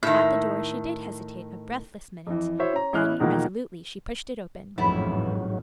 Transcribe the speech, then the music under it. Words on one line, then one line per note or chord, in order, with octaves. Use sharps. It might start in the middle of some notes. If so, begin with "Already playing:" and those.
At the door she did hesitate a breathless minute, then, resolutely, she pushed it open.
A2 D#3 E5
F2 E3
E4 F#4 C5 C#5 E5
C#4 A#5
A1 E3 E4 C#5 F6 F#6
E2 B2 D#3 F3 A#3
A1 F2 G#2 E3 F#3 B3 E4